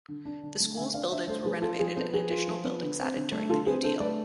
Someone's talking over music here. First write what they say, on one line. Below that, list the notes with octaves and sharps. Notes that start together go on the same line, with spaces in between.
The school's buildings were renovated and additional buildings added during the New Deal.
D3
D4
D3
A3
D3 E5 G#5
D4 D5 F5
D3 C5 E5
A3 A4 C5
C5
F3 G#4 B4
F4 A4
F3 G#4
B3 A4 C5
F3 G#4 B4
F4
F3
B3
D3
C4
D3
A3
D3 F4 A4
C4 G#4 B4
D3 A4 C5
A3 B4 D5